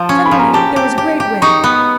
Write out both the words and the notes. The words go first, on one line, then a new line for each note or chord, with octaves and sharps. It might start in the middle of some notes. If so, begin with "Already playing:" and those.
Suddenly there was a great wind.
Already playing: F3 A5
C#4
B5
F3
A#5
G4 A5
G4
G4
G4
D#4 C#6
B3